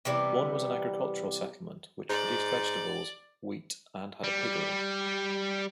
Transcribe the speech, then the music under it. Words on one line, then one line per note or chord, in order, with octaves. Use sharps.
One was an agricultural settlement, which produced vegetables, wheat, and had a piggery.
C3 E3 G3 B3
G#2 D5
G3